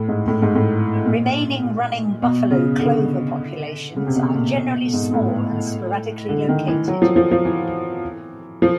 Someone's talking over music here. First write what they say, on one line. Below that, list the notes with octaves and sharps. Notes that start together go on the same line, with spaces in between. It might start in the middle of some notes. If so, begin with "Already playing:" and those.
Remaining running buffalo clover populations are generally small and sporadically located.
Already playing: A2
G#2
A2
G#2
A2
A#2
B2
C#3
D3
C#3
C3
B2
A#2
B2
B2
G#2
A2
D3
D#3
E3
F#3
F3
F3
F3
E3
F3